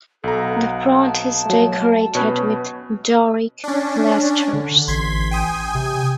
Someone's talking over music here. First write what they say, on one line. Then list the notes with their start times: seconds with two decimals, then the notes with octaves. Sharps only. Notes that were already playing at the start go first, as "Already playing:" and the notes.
The front is decorated with Doric pilasters.
0.24 B1 A4 A#5
0.40 F#5
0.96 A5
1.46 F#3 A3
2.15 B2 C#4 B4 C#5
3.64 C#4 D4
4.53 D3
4.88 A1 C6 G#6 B6
5.31 G5 G#5 D#6
5.75 C3